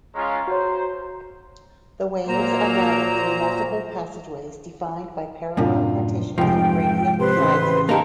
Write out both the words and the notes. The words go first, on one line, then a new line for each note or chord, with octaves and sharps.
The waves are routed through multiple passageways defined by parallel partitions of gradient sizes.
G#3 C#4 F4 A#5
F#4 C5 C#5
A#2 F#3 A#3 C5 A#5
F#2 A2 C3 D4 F4 A#4
F1 G#2 F3 G5
C3 B4 C5 C6
A1 C#3
A#3 D#4 G4 A#4 A5